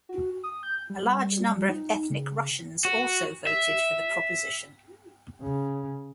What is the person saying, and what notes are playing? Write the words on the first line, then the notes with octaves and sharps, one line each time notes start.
A large number of ethnic Russians also voted for the proposition.
F#4
D#6
G6
G3
D#4
C#3
F#4
E5
C#3